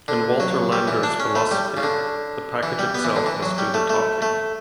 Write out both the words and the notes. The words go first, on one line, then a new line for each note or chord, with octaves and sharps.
In Walter Landor's philosophy, The package itself must do the talking.
D3
F#3
G3
E3
D4
C#4
A3
G3
C#3
D3
E3
G3
B3
E3
D3
E3
F#3
G3
A3
A3
A3